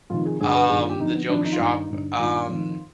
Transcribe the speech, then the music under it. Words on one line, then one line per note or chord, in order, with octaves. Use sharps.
um, the joke shop. Um,
F2 C3 D#3 F4
G#4
G2 D3 G#4
B4
G2 D#3 G#4
F4
G4
F2 D3 D#4
B3
F2 D#3 D4
D#4
F4
G2 D#3 D#4
G2 D3
G2 D#3 F4
F2 D#3